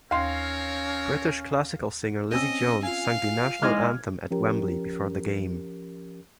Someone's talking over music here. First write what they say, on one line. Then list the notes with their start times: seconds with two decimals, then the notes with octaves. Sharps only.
British classical singer Lizzie Jones sung The National Anthem at Wembley before the game.
0.11 D#2 C4 C#4 A#4 C#5 F5 C6
2.32 C4 C#4 D#5 E6
2.83 F4 F5 G#5
3.62 G#3 D#4 E4 C6 D6 F6 G#6
4.31 F3 C#4 G4 A#4